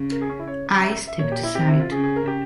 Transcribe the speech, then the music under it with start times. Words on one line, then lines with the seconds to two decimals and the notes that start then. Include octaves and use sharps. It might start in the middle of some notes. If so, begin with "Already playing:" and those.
I stepped aside.
Already playing: C#3
0.12 A#4
0.21 G#4
0.30 C#4
0.39 E4
0.47 C#5
0.66 C#5
0.83 E5
1.07 E5
1.19 A#2 C#5
1.32 G4
1.43 E4
1.55 C3 G4
1.68 E4
1.80 F4
1.92 C#3 G#4
2.04 G#4
2.16 A#4
2.27 G4